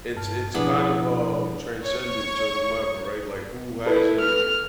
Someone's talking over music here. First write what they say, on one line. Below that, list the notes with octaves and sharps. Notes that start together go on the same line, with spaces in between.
it's it's kind of, um, transcendent to whomever, right? Like, who hasn't
G2 A5 F6
B2 F3 B3 D4 E4 G#4
C#5 C#6
E4 A4 B4
F6